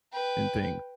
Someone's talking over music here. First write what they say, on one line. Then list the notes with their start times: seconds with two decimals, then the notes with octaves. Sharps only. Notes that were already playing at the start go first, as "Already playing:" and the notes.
and think
0.12 B4 G5